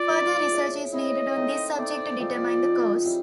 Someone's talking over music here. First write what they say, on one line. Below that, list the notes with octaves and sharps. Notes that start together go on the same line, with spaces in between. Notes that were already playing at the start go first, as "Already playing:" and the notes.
Further research is needed on this subject to determine the cause.
Already playing: F4 D5
F3 A#3 D#4
E4 G#4 C#5 E5
E4 G#4 C#5 D#5 E5
A3 C4 D#4
A3 C4 D#4 D5
F3 G#3 C4 D#4 D5
F3 G#3 C4 D#4
G3 C4 E4 G4